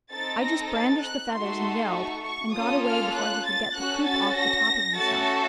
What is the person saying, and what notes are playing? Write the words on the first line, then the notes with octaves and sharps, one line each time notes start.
I just brandished the feathers and yelled, and got away before he could get the coop off the top of himself.
C4 D#4 A4 A6
A#6
A6
F#6
A3 D#4 F#4 A4 C6
C#6
C#6
A#3 C#4 F4 A4 D#6
F6
F#6
A6
C#4 F#4 A4 F#6
A6
A#6
A3 C#4 F#4 A4 A6